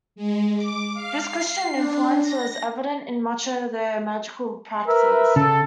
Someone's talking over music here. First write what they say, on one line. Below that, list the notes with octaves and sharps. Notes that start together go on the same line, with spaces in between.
This Christian influence was evident in much of their magical praxes.
G#3
D6
F5
C7
D4
A#6
A#4 B4 E5
C#3 A4